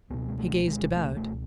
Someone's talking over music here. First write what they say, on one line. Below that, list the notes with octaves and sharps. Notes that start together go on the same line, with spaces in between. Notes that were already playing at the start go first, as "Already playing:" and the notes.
He gazed about.
C#2 B2 B3
G#3
A3
G#3
A3
A3